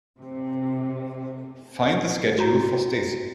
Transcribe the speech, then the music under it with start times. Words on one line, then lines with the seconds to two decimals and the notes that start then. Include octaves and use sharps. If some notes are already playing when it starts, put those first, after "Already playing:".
Find the schedule for Stacey.
0.19 C3
2.39 F#4 C#5 A#5